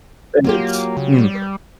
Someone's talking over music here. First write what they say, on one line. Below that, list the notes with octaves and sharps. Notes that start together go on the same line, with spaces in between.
And it's mm.
F#3 A#3 F4 G4
C#3
G3